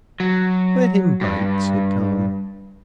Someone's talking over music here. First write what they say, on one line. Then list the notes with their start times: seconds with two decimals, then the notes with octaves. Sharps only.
"Let him bite," said Tom.
0.20 F#3
1.21 G2